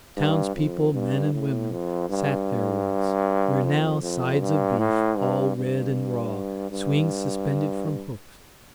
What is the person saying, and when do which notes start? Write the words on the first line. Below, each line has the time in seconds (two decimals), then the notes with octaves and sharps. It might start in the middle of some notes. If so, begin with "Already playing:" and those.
Townspeople, men and women, sat there once, where now sides of beef, all red and raw, swing suspended from hooks.
0.17 G2
0.55 F2
0.93 G2
1.33 A2
1.71 F2
2.09 G2
3.64 F2
4.01 F2
4.40 G2
4.78 A2
5.18 G2
5.55 G2
6.71 G2